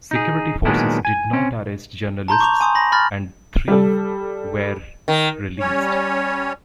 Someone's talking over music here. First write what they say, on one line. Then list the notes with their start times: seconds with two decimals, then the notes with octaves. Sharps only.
Security forces did not arrest journalists and three were released.
0.11 D#4 G#4
0.65 A#2 D#3 F#3 G#3 B3 D4
1.05 G#5
1.33 C4 C#4
2.28 A5 A#5 C6 G6
2.41 C#6 D6 F7
2.61 G#5 C6 D#6
2.75 B5 A#6
2.92 B5 F6 A6
3.68 G3 A4
5.08 D#3
5.59 G3 C#4 C#5